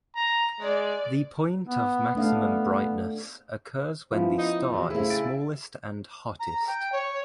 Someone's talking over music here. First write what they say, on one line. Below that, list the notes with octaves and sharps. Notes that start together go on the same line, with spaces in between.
The point of maximum brightness occurs when the star is smallest and hottest.
A#5
G#3 D5
B3
A3 B3 D4 F5
F3 B3 C#4 E4
D#4
E2 A#2 F#3
C#3 A3 E4 G#4 C5
E5 G5 A6 D7
A#5
G5
C#5